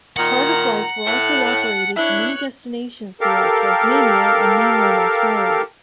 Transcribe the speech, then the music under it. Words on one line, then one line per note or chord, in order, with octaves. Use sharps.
Charter flights were also operated to many destinations throughout Tasmania and mainland Australia.
A#2 D#3 F#5 A#5
A2 A5 F#6
D4 E4 C#5 F#6
G4 A4 A#4 F5